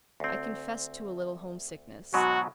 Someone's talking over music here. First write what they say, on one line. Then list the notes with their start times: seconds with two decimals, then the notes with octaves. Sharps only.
I confessed to a little homesickness.
0.20 D2 C4
2.14 G#2 B2 F#3 F#4